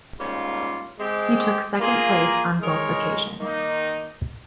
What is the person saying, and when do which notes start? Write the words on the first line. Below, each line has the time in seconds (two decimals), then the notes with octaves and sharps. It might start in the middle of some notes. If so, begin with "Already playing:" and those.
He took second place on both occasions.
0.18 G#2 G3 A#3 C#4 F4
0.99 G#3 C4 G4
1.79 A#3 F4 G#4
2.59 G#3 D#4 A#4 C#5
3.40 D#3 A#3 D#4